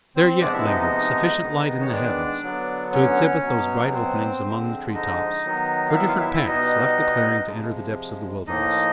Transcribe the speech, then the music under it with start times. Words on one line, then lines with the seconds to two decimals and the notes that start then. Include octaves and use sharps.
There yet lingered sufficient light in the heavens to exhibit those bright openings among the tree-tops, where different paths left the clearing to enter the depths of the wilderness.
0.16 C4 C5
0.41 C3 F3 G#3 B3 D4 D5
0.54 E4 E5
0.66 D#4 D#5
0.79 D#4 D#5
0.91 D#4 D#5
1.42 D#3 G#3 B3
1.81 C#5
1.92 D4 D5
2.43 D3 F#3 B3
2.93 C#4 C#5
3.43 B2 F#3 B3
3.94 C4 C5
4.44 D3 F3 G#3
4.94 D#4 D#5
5.45 D#3 F#3 B3
5.90 F5
5.95 E4 E5
6.08 F4 F5
6.20 E4 E5
6.33 E4 E5
6.46 B2 G3 B3 D#4 D#5
7.47 C3 F3 G#3
8.47 A2 F3 A#3 D#4 D#5